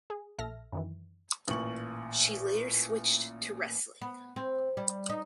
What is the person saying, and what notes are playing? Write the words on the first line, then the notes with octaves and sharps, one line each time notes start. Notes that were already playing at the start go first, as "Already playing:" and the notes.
She later switched to wrestling.
G#4
A#1 A4 E5 F6 A#6
F#2 D#3 E3
A1 A#2 C#6 F#7
B3
C4
G3
D#4